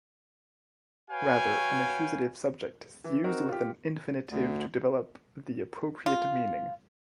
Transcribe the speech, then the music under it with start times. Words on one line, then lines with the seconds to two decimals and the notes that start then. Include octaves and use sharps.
Rather, an accusative subject is used with an infinitive to develop the appropriate meaning.
1.11 F#4 B4 C#5 F5 G5 G#5
3.04 E3
3.24 C4 D#4 F#4 A#4
3.49 F4 G4
4.30 D2
6.06 F4